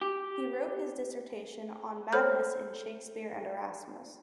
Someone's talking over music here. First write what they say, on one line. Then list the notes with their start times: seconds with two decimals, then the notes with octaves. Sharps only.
He wrote his dissertation on madness in Shakespeare and Erasmus.
0.02 G4
2.13 A4 C5 C#5 F6 G6